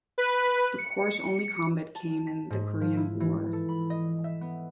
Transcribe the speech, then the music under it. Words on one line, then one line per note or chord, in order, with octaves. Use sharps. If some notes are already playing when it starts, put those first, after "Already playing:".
The corps' only combat came in the Korean War.
B4
C#7
A5
B6
G#2
F3
E4
E3
A4
B5
D#5
E5
B3